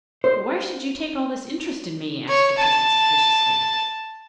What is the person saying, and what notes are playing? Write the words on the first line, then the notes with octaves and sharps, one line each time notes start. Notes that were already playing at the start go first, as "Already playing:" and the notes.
'But why should you take all this interest in me?' asked the peasant suspiciously.
C5
C#5
A5